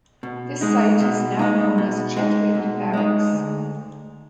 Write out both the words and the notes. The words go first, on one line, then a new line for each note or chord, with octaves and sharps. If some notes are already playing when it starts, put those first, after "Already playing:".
This site is now known as Chetwynd Barracks.
B2
G#3 D#4
B2
G#3 D#4
B2
G#3 D#4
B2
G#3 D#4
D2